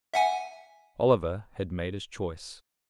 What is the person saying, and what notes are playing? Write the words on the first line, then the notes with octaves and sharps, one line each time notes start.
Oliver had made his choice.
E5 F#5 G#5